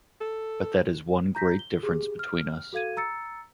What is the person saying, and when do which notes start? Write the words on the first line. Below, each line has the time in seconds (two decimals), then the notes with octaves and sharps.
But that is one great difference between us.
0.21 A4
1.35 A#5 G6 A#6 B6
1.59 G7
1.82 G4 G#4
2.19 F6
2.73 F#4 A4 F5 G#6 D#7
2.97 A#5 E6 A6 C#7